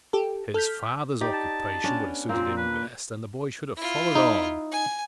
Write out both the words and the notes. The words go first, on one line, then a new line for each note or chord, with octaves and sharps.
His father's occupation would have suited him best, and the boy should have followed on.
G4 A4
A4 F6 G6 B6
D#4 G4 D5
A5
B3 C#4 D4
A#2 A#3 C4
B4
E4 F4
D#4
G#5